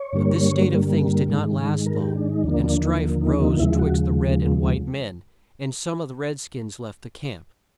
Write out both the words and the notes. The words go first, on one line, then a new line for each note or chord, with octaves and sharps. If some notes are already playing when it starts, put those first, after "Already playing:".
But this state of things did not last long, and strife rose twixt the red and white men, and some of the red-skins left the camp.
Already playing: C#5
G2 D3 G3 A#3
G#2 D#3 G#3
A#4
G4
D4
D#4
D#2 D3 F3 A#3 D4
D4
D#4
D#4
D#4
D#2 C#3 F3 G#3 E4
F#4